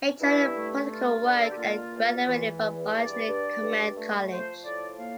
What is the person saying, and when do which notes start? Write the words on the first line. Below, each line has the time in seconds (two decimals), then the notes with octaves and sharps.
Majored in political work and graduated from Artillery Command College.
0.20 G2 E4
0.55 A3
0.90 G2 F4
1.23 D3 C5
1.35 A#4
1.42 A4
1.50 G4
1.57 A#3 F4
1.91 E2
2.25 E3
2.60 E2
2.94 G2 D5
3.28 G2
3.62 G2
3.97 A3
4.30 F3 C5
4.64 A2 D5
4.99 A#3 F5